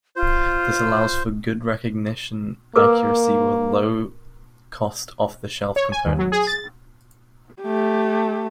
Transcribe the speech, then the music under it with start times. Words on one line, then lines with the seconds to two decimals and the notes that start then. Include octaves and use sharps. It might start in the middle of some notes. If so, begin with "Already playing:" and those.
This allows for good recognition accuracy with low cost off-the-shelf components.
0.16 F4 C5
2.76 A#3 A#4 B4 D6
5.76 C#5
5.92 G#5
6.06 D#2
6.19 F#3
6.32 G#4
6.47 A6
7.62 A3 G4